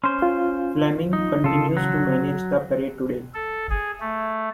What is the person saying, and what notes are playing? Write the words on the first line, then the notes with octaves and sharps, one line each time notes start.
Fleming continues to manage the parade today.
C#4 C5 C6
F4
D#4
C#3 F4 A4
F#3
A4
G#4
A3